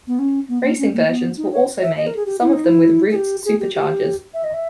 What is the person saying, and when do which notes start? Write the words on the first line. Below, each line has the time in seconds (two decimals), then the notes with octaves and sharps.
Racing versions were also made, some of them with Roots superchargers.
0.07 B3
0.19 C#4
0.48 B3
0.63 A#3
0.78 C#4
0.93 A#3
1.08 B3
1.37 D#4
1.52 C#5
1.82 E5
1.97 D#5
2.07 A#4
2.16 G#4
2.26 G4
2.41 E4
2.53 D#4
2.64 E4
3.10 G#4
3.15 G4
3.45 G#4
3.60 G4
3.75 G4
4.34 E5
4.44 D#5
4.54 E5